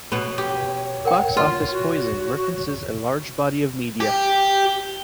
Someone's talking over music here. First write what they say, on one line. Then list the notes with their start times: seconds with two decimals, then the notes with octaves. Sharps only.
"Box Office Poison" references a large body of media.
0.12 B2 B3 C#5
0.38 G4
1.05 A#4 F#5 G5
1.37 F4
1.72 F#4
4.00 G4